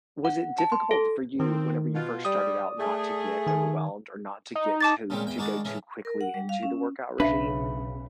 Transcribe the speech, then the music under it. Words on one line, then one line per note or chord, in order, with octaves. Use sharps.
Was it difficult for you whenever- you first started out- not to get overwhelmed or not to get too to go too quickly into the workout regime?
F#5
A5
C6
A4
D#3 C4
B2 F4
G3 D5 D#6
A3 G#4
D#3 G#5
D#4
A5 D6 A6
A#2 C#3 G3 G#3 C4
E2 G5
D#3 G#3 D4 F#4 D5
A2 C#3 E3
A#4
F#5
G3
F5
C#4
B1 C#3 D4 B4 E5 F5